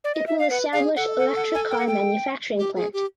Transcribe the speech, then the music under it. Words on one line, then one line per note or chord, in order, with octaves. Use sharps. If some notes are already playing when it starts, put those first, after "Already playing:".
It will establish Electric car manufacturing plant.
D5
D#5
E5
F5
B4 F#5
G#4 F5
A4 F#5
F#5
F#5
G#5
G5
F#5
G5
G4
G#4
G4